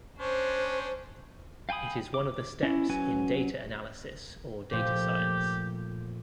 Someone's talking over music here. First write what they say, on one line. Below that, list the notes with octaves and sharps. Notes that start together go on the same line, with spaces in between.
It is one of the steps in data analysis or data science.
C#4 D4 C5
F5 G5 G#5 B5 D#6
D6
C#4 E4
F#3 C#4 B4 G#5
A#2 F3 A3 G4